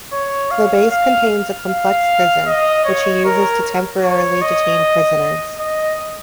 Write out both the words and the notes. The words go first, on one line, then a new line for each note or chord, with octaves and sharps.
The base contains a complex prison, which he uses to temporarily detain prisoners.
C#5
F5
F5
F5
D#5
C#5
A#4
C#5
D#5
D#5